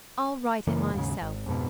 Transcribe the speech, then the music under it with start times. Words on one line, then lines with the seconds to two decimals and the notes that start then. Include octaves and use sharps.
"I'll write it myself."
0.67 F#2 C#3 E3 A#3
0.93 D#2 G#2 C#3
1.22 G#1
1.46 F2 G#2 B2